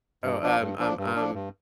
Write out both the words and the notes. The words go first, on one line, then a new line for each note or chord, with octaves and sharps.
Oh, um um um
G2
F3 D4
G2
F3 D4
G2
F3 D4
G2